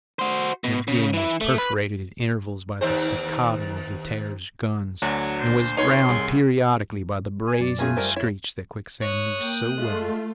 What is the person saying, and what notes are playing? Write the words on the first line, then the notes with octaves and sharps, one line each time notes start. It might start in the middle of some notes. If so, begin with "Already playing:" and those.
The din was perforated at intervals by the /staccato/ of the Terror's guns, and was drowned periodically by the brazen screech that Quicksand knew so well.
F#4 C5
B2
C#3
E3 E4
A3
B4
D#2 C4 C5
D2 F#3 D4
C5
B2 D#4 C#5 C6
C2 G#4
G#5
F#2 D5
A3 A#3 C#4 F4 G#4 G#5
G3 A#4 C5
G#2 E4 C#5
C#5 D#6 F#6
A#3 G5
G#3 A3 F4